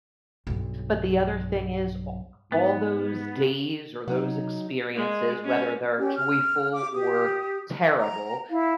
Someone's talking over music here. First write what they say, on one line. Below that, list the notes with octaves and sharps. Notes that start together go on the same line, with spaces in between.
But the other thing is, a all those days or those experiences, whether they're joyful or terrible,
B1 G2
G#2 B3
C3 F#3 D#4
G#3
C#4
C#4 G4
F6
D6
G4 D#6
A#5
E4 F5